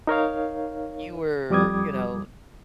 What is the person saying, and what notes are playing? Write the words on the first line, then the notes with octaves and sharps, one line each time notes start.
you were, you know,
D#4 A#4 C#5 F5
F2 G3 D6 D#6 G#6